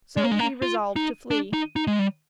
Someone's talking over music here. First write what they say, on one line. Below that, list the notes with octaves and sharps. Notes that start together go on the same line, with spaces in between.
So he resolved to flee.
G#3
A#3
G#3
A#3
F4
D#4
D4
D#4
D#4
G#3
G3